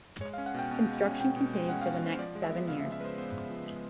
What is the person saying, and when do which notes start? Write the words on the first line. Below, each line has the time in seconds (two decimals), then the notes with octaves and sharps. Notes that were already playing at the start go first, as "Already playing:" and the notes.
Construction continued for the next seven years.
0.21 G#3 C#5
0.34 F5
0.38 C#4
0.46 F#5
0.54 B2 G5
0.71 B2
0.87 G#3
1.03 C#4
1.20 B2 G5
1.36 B2
1.53 G#3
1.69 C#4 F#5
1.81 F5
1.85 B2
2.02 B2 C5
2.19 F3 D5
2.35 G#3
2.43 E5
2.52 B3
2.68 C#3 F5
2.80 E5
2.84 F3
2.92 E5
3.00 G#3 B4
3.05 C5
3.18 B3 C5
3.35 C#3
3.50 F3
3.66 G#3